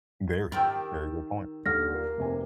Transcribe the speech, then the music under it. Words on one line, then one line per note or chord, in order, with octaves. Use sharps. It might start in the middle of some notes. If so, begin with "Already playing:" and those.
Very. Very good point.
D#3 G4 A#4 E6 G6 A6
D#2 D3 F6 A#6
A#3
F1 C3 G#5